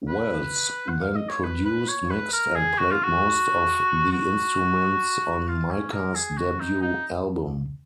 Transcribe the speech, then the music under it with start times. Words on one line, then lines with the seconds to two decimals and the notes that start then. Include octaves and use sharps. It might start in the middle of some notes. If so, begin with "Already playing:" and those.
Wells then produced, mixed and played most of the instruments on Mika's debut album.
0.08 B4
0.89 F#5
1.02 F5
1.16 D#5
1.30 C#5
1.43 B4
1.65 B4
1.88 C#5
2.10 B4
2.33 A#4
2.55 G#4
2.78 F#4
2.91 F4
3.03 F#4
4.12 F#4
5.48 F4
5.71 C#4
5.92 A#4
6.15 G#4
6.37 F#4
6.60 D#4
6.82 D#4